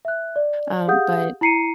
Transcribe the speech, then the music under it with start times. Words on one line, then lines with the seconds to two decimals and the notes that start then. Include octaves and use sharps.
Um, but,
0.05 E5 F#6
0.36 D5
0.87 G4 G#4 F5 F#5 D#6 G6
1.41 E4 A#5 C7 C#7 D#7